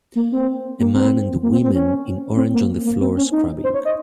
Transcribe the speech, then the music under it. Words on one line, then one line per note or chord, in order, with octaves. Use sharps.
A man and women in orange on the floor scrubbing.
A#3
C4
A#3
C4
A#3
C4
C4
C#4
C4
A#3
A#3
C4
C#4
D#4
C5
C#5
D#5